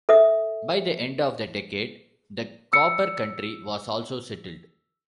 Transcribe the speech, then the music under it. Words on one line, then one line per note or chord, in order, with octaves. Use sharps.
By the end of the decade the Cooper country was also settled.
A4 E5 D#6
E6 C#7